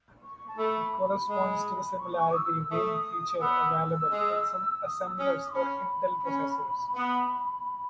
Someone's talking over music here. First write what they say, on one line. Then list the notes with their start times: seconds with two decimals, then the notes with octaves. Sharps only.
It corresponds to the similarly named feature available in some assemblers for Intel processors.
0.23 C#6
0.48 A5
0.58 A3 B5
1.29 G#3
1.99 C#6
2.35 E6
2.70 A3 D#6
3.37 D#6
3.41 B3 E6
4.11 G#3
4.83 D#6
5.06 E6
5.18 C#4 D#6
5.53 C#4 B5
6.24 C#4
6.94 B3